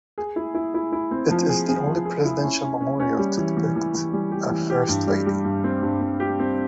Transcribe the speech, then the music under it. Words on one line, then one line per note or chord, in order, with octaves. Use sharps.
It is the only presidential memorial to depict a First Lady.
G#4
E4
E4
E4
E4
C4
F3
G#4
G#4
F3
G#4
E4
C#4
C#4
C#4
C#4
G3
E3
E3
E3
E3
G3
G4
E3
G4
G2
G3
G3
G2
C4
G2
C4
G4
C4